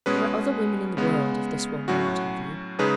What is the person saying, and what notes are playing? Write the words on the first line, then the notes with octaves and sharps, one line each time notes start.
'There are other women in the world, if this one will not have you.'
B2 G#3 C#4 G#4 B4
C#3 G#3 B3
A2 F#3 C#4 F#4
C#3 G#3 D#4 G#4 B4